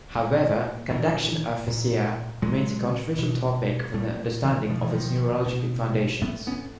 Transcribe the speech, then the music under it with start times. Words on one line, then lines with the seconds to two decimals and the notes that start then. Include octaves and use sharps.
However, conduction aphasia remains a controversial topic from the understanding of its neurologic foundations.
0.15 A#2
0.91 A#2 D3 E3
1.68 A#2
2.42 A#2 F#3 G#3
3.19 B2
3.94 A#2 G3 A3
4.45 D3 E3
4.70 B2 F3
4.81 E3
4.90 D#3 F3
5.46 B2
6.22 A2 A3 B3
6.47 B3 C#4